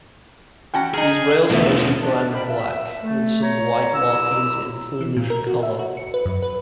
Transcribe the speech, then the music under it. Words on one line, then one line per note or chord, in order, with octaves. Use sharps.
These rails are mostly brown and black with some white markings in plumage colour.
E3 C#4 F#4 G5 A5
D#3 D#4 G#4 F6
E2 B2 D3 F3 A3 F4 E5
D4
F4 A#4 C5 D5 G5 B5
E5
A3
C#5 A#5
F#2 E4 G4 A#5 E6
E3
A#2
A#4
F#4
E5
F#4
C#7
B4
F#2
B4